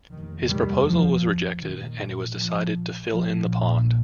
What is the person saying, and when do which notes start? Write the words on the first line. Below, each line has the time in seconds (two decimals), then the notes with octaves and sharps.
His proposal was rejected and it was decided to fill in the pond.
0.11 F1 D#2 D#3
0.48 D#3 G3
0.86 F3
1.60 A#1 A#2 D#3
2.35 F3
3.11 A#1 A#2 F3